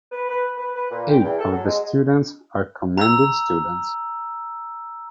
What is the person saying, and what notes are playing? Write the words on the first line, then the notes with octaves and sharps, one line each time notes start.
Eight of the students are Commended Students.
B4
B4
B4
B4
A#2
G5
E2
A4
F#3
G#3
A#5 E6